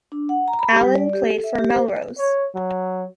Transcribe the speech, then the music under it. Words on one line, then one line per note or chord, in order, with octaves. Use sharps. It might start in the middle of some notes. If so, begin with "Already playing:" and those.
Allan played for Melrose.
D4
F#5
A#5
B5
G4
G3
D5
G4
A4
E5
G4
C5
C#5
F#3